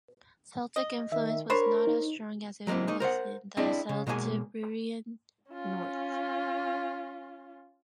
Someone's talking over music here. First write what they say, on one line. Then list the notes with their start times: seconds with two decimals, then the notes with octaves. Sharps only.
Celtic influence was not as strong as it was in the Celtiberian north.
0.76 D#5
1.12 D#3 E5
1.50 D4 A#4 C5 C#5 B5
1.87 D#4
2.67 F#3 G#3 A#3 C4 E4
2.87 A#3 D#4
3.00 A#4 C5 D5 F#5
3.57 C4 D4 E4 G#4 D5 D#5
3.89 C#3
4.07 B2 G#3 A#3 E5 G#5
5.51 C#4 F4